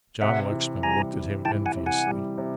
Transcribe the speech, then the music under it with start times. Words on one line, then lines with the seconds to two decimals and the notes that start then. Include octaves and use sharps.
John Lexman looked at him enviously.
0.21 C3 E5 F#5
0.52 E3
0.83 G3 G#5 A#5
1.14 E3
1.45 E3 G5 A5
1.66 F#5 G#5
1.76 C3
1.86 F#5 G#5
2.07 G3
2.38 C3